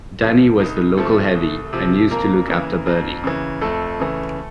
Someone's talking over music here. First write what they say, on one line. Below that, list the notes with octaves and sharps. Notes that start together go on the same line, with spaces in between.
Danny was the local heavy and used to look after Bernie.
C3 F3
C2 D#4
C3 F3 A3 A4
C2
C3 F3
F2 A#3 A#4
C#3 E3
F2
C#3 E3
F2 A3 A4
C#3 E3